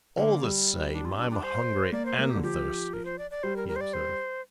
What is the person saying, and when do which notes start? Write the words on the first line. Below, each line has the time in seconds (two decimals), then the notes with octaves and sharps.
"All the same, I'm hungry and thirsty," he observed.
0.17 D3 A#3
0.43 G3
0.92 D4
1.05 F4
1.12 C4
1.18 D4
1.31 D4
1.43 C5
1.92 A#3 D5
2.05 C5
2.18 A#3 A#4
2.30 G4
2.35 D3
2.43 F3 G4
2.93 A#4
3.05 C5
3.18 D5
3.31 D5
3.43 G3 C5
3.56 A#4
3.68 A#4
3.76 C5
3.81 D5
3.93 C5